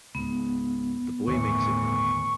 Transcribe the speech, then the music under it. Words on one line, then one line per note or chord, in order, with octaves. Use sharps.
The boy makes it one.
C#2 G#2 B3
G1 D#2 A2 D#3 E3 C#6